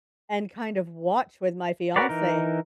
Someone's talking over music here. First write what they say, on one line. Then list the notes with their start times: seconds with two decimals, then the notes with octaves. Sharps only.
and kind of watch with my fiance
1.96 F#4 A#4 B4 C#5 D5
2.09 E3 D#4 A#4